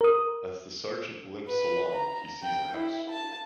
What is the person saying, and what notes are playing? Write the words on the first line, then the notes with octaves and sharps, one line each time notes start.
As the Sergeant limps along he sees a house.
A#4 D#6
B4
A#5
G5
E4
A5